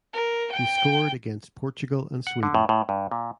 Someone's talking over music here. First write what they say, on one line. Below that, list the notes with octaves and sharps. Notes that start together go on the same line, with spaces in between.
He scored against Portugal and Sweden.
A#4
G5
F#5
D3
A2
A2
G2
A#2